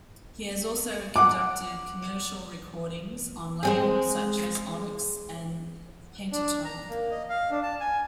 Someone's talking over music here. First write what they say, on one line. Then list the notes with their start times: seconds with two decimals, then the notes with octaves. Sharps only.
He has also conducted commercial recordings on labels such as Onyx and Pentatone.
1.16 F#5 D6
3.63 G#3 C4 G#4
6.32 D4
6.65 A#5
6.89 A#3
7.11 D#5
7.29 F5
7.50 D4
7.63 A5
7.80 G#5